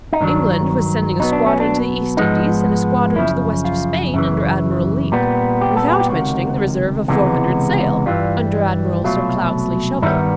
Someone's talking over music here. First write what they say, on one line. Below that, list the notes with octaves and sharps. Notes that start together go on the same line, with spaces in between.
England was sending a squadron to the East Indies, and a squadron to the West of Spain under Admiral Leake, without mentioning the reserve of four hundred sail, under Admiral Sir Cloudesley Shovel.
D#4
G2 D#3 F#3 D4
B2 F#3 B3 D#4
D4
C#4
D4
G#2 F3 G#3 B3 D#4
F#2 C#3 F3 E4
F4
F#2 C#3 E3
A#2 G3 B3
G4
A4
G#4
G4
C#2 C3 D#3 F#4
C#2 C3 E3 G#3 B3
G2 E3 G3 F4
C2 B2 F#3 A3 F4
G2 D#3 G3 B3 E4